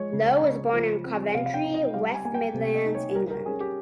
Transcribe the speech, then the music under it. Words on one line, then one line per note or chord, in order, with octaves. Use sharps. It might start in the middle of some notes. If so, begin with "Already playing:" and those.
Lowe was born in Coventry, West Midlands, England.
Already playing: F3 G#3 C#5
C#3
C#3
F3
C4
C3 F5
F5
G5
D#4
D#5
G3 F5
G#5
A#3 G#5
G5
C3
D#5
D#4
C#5
G3 A#4
A#4
C#4 G#4
G4